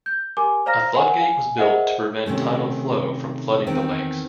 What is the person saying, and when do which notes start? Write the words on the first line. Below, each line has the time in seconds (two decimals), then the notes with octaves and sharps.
A floodgate was built to prevent tidal flow from flooding the lakes.
0.06 G6
0.37 G4 A#4 G#5 D6
0.66 C5 D5 F5 A#5 F6 A#6
0.94 A#4 F#5 G#5
1.18 F5 G#5
1.58 G#4 A#4 C5 D#5 E5 F#5
2.26 C3 D#3 A3 C#4
3.67 E2 D#3 C4